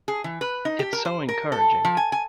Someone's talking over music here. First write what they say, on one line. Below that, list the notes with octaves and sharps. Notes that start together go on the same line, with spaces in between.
It’s so encouraging.
G#4
E3
B4
D#4
G4
A#4
C5
A#4
A4
F3
G#5
G#5